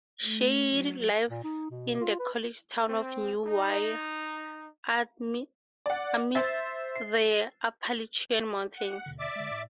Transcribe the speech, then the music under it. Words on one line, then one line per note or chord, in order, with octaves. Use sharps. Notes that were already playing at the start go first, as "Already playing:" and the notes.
Shade lives in the college town of New Wye, amidst the Appalachian Mountains.
A3
F#3
A#2
D#4
B2
F4
B4
C4
D#4
D5 F#5
C5 E5 A6
C7
F#5
D#2 B2 D3
D5 E5 D6
D3 G#3
A2